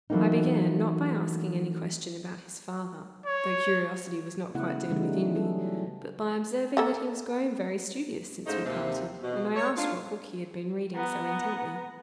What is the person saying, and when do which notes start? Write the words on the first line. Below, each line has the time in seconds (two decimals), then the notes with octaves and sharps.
I began, not by asking any question about his father, though curiosity was not quite dead within me, but by observing that he was grown very studious since we parted; and I asked what book he had been reading so intently.
0.10 E3 F#3 A3 A#3 C4 D#4
3.26 C#5
4.55 C#3 A3 B3 E4 F#5
4.89 C#3 E3 G3 A3 D#4
5.35 F#3 G3 C#4 G#4 A4
6.77 A#3 A4 F#5
8.46 G#2 C#3 A3 D#4 C5
8.65 D#2 C3
9.23 B2
9.56 C#5
9.77 D4 D#4 F4
10.95 B3 A#5